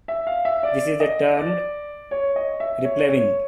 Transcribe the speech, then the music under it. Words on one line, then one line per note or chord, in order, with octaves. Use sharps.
This is termed "replevin".
E5
F5
E5
D5
D#5
D5
C#5
D#5
E5
C#5
C#5